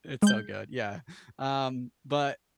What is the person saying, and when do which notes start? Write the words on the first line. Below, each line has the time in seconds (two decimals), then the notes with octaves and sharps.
it's so good, yeah. Um, but
0.22 G#3 G6